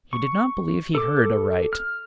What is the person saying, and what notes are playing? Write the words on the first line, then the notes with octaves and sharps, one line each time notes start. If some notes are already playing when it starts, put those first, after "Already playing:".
He did not believe he heard aright.
C#6
A4 D6
F6